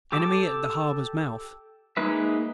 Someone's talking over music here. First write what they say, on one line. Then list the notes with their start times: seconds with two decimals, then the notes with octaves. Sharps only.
Enemy at the harbour's mouth.
0.12 G4 A4 D6
1.97 G#3 A#3 D#4 B4 E5